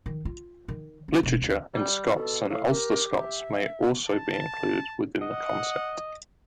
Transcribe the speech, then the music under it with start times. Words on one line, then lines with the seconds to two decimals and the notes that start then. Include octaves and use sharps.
Literature in Scots and Ulster Scots may also be included within the concept.
0.06 D#3
0.25 F4
0.68 D#3
1.08 C#4
1.23 E1
1.42 D2
1.75 G3
2.15 B2 A4
2.50 A2 F5
2.70 G4 A#4
3.18 E5
4.08 A5
5.22 D#5 F#5